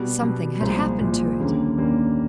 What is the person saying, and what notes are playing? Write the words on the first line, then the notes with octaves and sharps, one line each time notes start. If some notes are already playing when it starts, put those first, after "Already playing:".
Something had happened to it.
Already playing: B2 G3 B3
B2 G3 B3
C2 A#2 F3 G#3
C2 A#2 F3 G#3
D#2 D3 G3 A#3 C#4
D#2 D3 G3 A#3 C#4